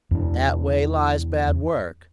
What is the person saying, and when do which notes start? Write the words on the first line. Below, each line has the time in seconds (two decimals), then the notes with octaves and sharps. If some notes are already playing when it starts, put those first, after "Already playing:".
That way lies bad work.'
0.11 E2 D4